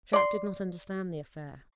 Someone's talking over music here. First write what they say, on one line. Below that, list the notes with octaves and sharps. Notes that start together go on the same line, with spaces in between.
Jacques did not understand the affair.
D5 C6